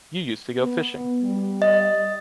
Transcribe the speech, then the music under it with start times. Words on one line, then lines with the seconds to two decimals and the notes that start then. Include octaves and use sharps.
You used to go fishing.
0.54 B3
1.22 G3
1.62 D#5